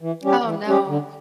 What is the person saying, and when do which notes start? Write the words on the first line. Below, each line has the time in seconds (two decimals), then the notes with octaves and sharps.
Oh no.
0.01 E3
0.23 G3 C#4 G4
0.45 E3
0.66 G3 C#4 G4
0.87 D3